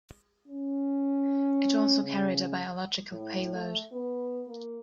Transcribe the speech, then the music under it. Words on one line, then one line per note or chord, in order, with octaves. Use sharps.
It also carried a biological payload.
C#4
C#3
A2
A3
B3
A#3